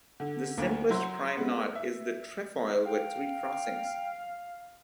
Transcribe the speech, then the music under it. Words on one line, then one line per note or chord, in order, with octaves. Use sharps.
The simplest prime knot is the trefoil with three crossings.
D3
D2 A#3
F#3 E4 C5
G#3 B3
E5
F5 G5